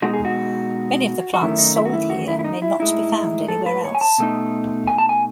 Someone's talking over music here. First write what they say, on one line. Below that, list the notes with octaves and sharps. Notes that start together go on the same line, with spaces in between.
Many of the plants sold here may not be found anywhere else.
B2 G#3 D#4 F#4
G#4
F#4
F#4
F#2 D#3 A3 C#4 E4
D#4
E4
F#4
E4
F#4
E4
E4
D#4
E4
A2 G#3 D#4 E4
A4
B4
C#5
G#5
A5
B2 A3 D#4
G#5
A5
G#5